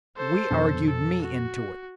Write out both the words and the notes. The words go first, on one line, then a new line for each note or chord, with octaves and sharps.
We argued me into it.
A4 C5
F2 B2 D4
A4
F#4